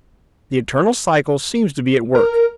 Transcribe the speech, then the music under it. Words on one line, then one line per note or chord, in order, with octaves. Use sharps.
The eternal cycle seems to be at work.
A#4